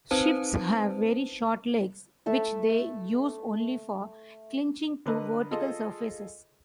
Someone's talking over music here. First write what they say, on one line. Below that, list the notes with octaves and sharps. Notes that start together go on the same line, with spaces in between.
Swifts have very short legs which they use only for clinging to vertical surfaces.
C4 D#4 B4 C5 A5
A3 E5 A5
D3 A#4 B4 D#5
F4 G#4 A4 D#5